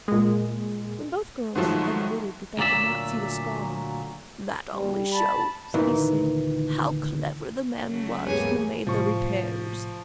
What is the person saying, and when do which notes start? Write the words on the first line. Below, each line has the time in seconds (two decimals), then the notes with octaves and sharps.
When both girls admitted that they could not see the scar, "That only shows," he said, "how clever the man was who made the repairs."
0.08 A#2 G#3
1.55 G#2 D#3 F3 F#3 A3
2.58 D2 A#2 F#3 D5 E5
4.75 G3
5.11 A5 B5
5.74 D2 A#2 D#3 E3
7.86 C#3 F#3 A3
8.26 E2 G#2 A#3 B3 G4 G#4 C#5 G#5
8.87 A2 C3 F3 C#6